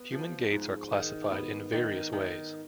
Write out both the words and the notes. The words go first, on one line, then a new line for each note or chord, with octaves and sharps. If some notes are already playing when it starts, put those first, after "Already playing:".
Human gaits are classified in various ways.
Already playing: B3
F3
G#2
D#3
B3
D#3
D#3